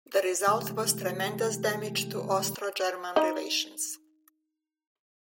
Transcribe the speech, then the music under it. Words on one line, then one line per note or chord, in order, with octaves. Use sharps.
The result was tremendous damage to Austro-German relations.
C3 E3 G#3 A3 G4
D#4 D#5